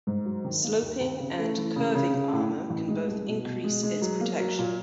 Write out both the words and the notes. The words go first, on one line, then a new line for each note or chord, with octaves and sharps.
Sloping and curving armour can both increase its protection.
G#2
F#3
D#3
A#3
D#2
D#2
C#3
A3
E3
C#3
C#3
C#3
A2
A2
A1
G#3
C2
B2
B2
G#3
G#3
F#3
A#3
F#3
A#2